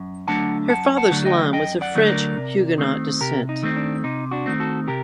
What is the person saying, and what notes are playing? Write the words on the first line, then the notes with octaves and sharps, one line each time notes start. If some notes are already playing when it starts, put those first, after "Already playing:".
Her father's line was of French Huguenot descent.
Already playing: F#2
D3 F#3 A3 D4 F#5 A5
F#2 F#5 A5
F#5 A5
D3 F#3 A3 D4
D#5 G5
F#2 D#5 G5
D5 F#5
D3 F#3 A3 D4
A#4 D5
C3
D#3 A3 C4
C3 G4 A#4
D#4
D#3 A3 C4
D4
C3 D#4
D4 F#4
D#3 A3 C4
F#4 A4
C3 G4 A#4